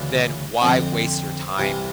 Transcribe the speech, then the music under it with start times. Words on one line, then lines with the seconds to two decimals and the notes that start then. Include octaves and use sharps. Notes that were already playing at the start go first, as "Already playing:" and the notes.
then why waste your time
Already playing: D2 C#3 E3 D4
0.62 F2 D3 C4
1.58 C2 C3 E3